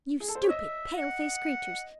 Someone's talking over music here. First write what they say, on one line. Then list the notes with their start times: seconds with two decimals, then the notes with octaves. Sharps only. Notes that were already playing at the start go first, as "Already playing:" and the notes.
You stupid, pale-faced creatures!
0.20 G#4
0.28 A4
0.35 C5
0.43 C#5
0.49 D#5 E5
0.98 F#5